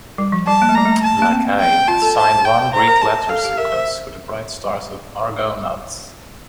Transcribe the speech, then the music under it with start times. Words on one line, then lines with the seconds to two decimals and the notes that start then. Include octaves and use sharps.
Lacaille assigned one Greek letter sequence for the bright stars of Argo Navis.
0.18 G3
0.32 F3
0.47 G3 A5
0.62 A#3
0.69 A3
0.75 G3 A#5
0.85 A3
1.03 A5
1.22 A#3
1.32 C4
1.60 G5
1.88 F4 A5
2.02 A4
2.17 C5 A5
2.45 G5
2.73 C5 A#5
2.87 A#4
3.01 A5
3.29 A4 F5
3.45 G4
3.58 A#4 E5
3.72 C5